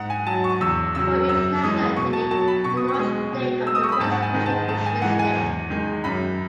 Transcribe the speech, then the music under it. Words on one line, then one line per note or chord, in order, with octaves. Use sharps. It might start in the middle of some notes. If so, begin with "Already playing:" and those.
For each nationality, the launch date of the first mission is listed.
Already playing: G#2 F#5
G#5
F#3 A5
C#6
E2 E6
C#3 F#3 E6
F#2 E6
E3 G#3 D#6
B2 C#6
A5
F#3 A5
B5
B2 C#6
D#6
C#6
G#3
B2
G#3 E6
D#6
C#6
B5
G#2 A5
F#5
G#5
D#3 G#3
A5
G#2 A5
G#5
E3 G#3 F#5
G#5
E2
D#3 G#3
F#2 B5